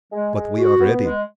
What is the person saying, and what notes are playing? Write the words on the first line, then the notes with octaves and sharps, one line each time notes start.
But we are ready.
G#3
G#3
F#4
B3
G#3